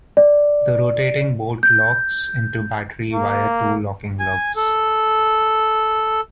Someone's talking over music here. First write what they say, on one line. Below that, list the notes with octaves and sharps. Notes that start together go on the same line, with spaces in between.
The rotating bolt locks into battery via two locking lugs.
D5
G6
A#3
G#5
A4